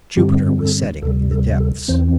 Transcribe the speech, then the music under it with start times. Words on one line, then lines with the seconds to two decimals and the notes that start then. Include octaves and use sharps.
Jupiter was setting in the depths.
0.17 G2 D3 G3 C4 G4
0.59 A4
1.02 D2 C3 G3 A4
1.31 A4
1.60 A4
1.88 E2 E3 C4 C5